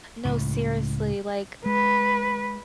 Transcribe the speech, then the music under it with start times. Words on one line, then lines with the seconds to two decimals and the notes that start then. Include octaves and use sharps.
No, seriously, like
0.25 C#2 A2
1.66 G#3 B4